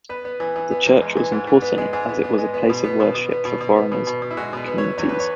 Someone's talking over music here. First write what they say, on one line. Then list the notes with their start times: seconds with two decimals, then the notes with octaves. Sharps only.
The church was important as it was a place of worship for foreigners communities.
0.09 B3 B4
0.25 B3
0.40 E3
0.56 E3
0.71 B3
0.86 E2
1.02 G#3
1.17 E3
1.32 G#2
1.47 G#2
1.62 B3
1.78 G#3
1.93 G#2 G#4
2.09 B3
2.24 B3
2.38 G#3
2.54 B3
2.70 B2
2.84 B3
3.00 B2
3.15 B2
3.31 B3
3.45 B2
3.61 B2
3.76 B3
3.92 B2
4.07 B2
4.22 B2
4.31 E4
4.37 G#3 F#4
4.53 B2 B4
4.68 B3
4.78 B3 C#5
4.98 E2 C#5
5.09 B3 B4
5.20 C#5